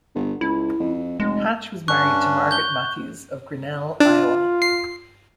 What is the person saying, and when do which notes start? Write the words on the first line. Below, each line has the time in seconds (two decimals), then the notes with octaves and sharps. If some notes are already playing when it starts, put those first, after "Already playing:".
Hatch was married to Margaret Mathews of Grinell, Iowa.
0.15 G1
0.41 C#2 E4
0.80 F2
1.20 F1 G#3
1.88 G2 C#4 D4 C#6 F#6
2.51 G6 G7
4.00 D4 F4
4.62 C7